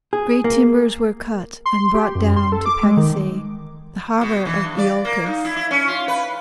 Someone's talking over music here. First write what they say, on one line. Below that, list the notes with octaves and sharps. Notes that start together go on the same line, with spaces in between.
Great timbers were cut and brought down to Pagasae, the harbor of Iolcus.
G#4
A#3
C6
G4
F#2
C6
A4
D6
G#3
D#3
B2
E3
G2
D5
A#3
D#4
E4
E4
C#4
F4
B4